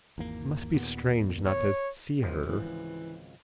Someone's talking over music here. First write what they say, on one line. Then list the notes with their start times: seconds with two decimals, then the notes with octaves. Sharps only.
Must be strange not to see her.
0.18 G#1 E2 A#3
0.73 D#2 A#2 B3
1.46 C#5
2.23 G#1 C#2 F3
2.46 E3